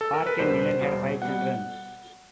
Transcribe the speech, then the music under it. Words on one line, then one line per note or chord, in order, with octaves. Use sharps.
Park and Niland had five children.
A4
A#4
B4
E2 B2 G3 C5
E2 B2 G3
B2 G3 F#5